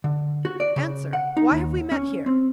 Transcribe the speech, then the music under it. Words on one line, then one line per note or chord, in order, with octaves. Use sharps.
Answer: why have we met here?
D3
F#4
D5
C#3
F#5
D#4
D#2
C#4
C4